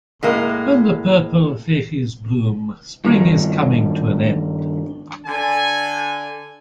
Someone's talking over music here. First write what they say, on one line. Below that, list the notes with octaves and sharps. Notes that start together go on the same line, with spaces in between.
When purple vygies bloom, spring is coming to an end.
A2 G#3 A#3
G2 D#3
D3 G#5